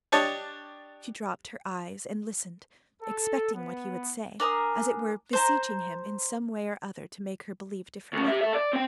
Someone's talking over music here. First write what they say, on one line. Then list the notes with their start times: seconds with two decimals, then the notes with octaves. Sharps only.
She dropped her eyes and listened, expecting what he would say, as it were beseeching him in some way or other to make her believe differently.
0.12 D4 G4 C#5 D#5 A5
3.02 A4
3.54 B3
4.40 D4 A#4 G#5 D#6
5.33 C5 A5 A#5
8.13 D2 C#4
8.28 G4 E5
8.41 A4 E5
8.55 D5
8.73 C4 G5